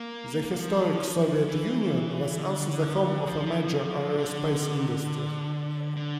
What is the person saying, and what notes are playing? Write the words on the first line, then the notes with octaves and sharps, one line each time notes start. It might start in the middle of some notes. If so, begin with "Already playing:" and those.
The historic Soviet Union was also the home of a major aerospace industry.
Already playing: A#3
F3
E3
D3
F3
D3
D3